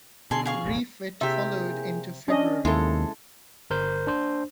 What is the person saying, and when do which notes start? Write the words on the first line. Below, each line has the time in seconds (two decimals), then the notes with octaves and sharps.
Refit followed into February.
0.31 B2 D3 G#4 A4 C6
0.46 G#4 F5 C#6
0.65 E1 A1 E2
1.21 C3 A#3 E4 G4 G#4 E5
2.28 C#4 D4 D#5
2.65 D#2 C3 G#3 E4 A4
3.70 G1 A#4 C5 G6
4.07 D4 C5